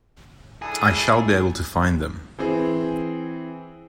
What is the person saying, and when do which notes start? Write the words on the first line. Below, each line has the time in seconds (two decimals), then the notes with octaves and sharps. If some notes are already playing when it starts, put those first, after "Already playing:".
I shall be able to find them.
0.62 D4 E4 G#4 A4
2.39 E3 C4 G#4